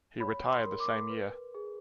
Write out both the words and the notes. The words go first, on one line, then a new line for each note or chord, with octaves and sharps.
He retired the same year.
C#5 B5
C6
A#4
D6
B4
G#4